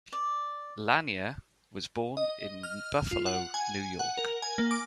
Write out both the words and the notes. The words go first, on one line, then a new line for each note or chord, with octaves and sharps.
Lanier was born in Buffalo, New York.
D5
D#5
F6
F4
F#5
G#5
F#5
A#4
G#5
A#3
D6